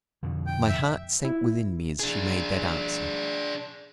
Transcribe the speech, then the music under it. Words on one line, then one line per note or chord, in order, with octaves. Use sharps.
My heart sank within me as she made that answer.
F2 B2 D3
G5
E5
E4
D4 G#4